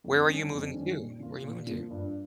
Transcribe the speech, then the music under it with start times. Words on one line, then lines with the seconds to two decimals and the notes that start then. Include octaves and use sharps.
Where are you moving to? Where you moving to?
0.04 F2
0.28 D#3 G3 C#4
0.52 F2
0.74 D#3 G3 C#4
0.98 A#2
1.20 F3 A#3 F4
1.43 A#2
1.67 F3 A#3 F4
1.90 G2